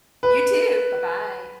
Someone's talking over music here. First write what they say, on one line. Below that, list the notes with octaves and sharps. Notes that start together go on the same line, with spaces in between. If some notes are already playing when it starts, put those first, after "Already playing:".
You too. Bye bye.
B4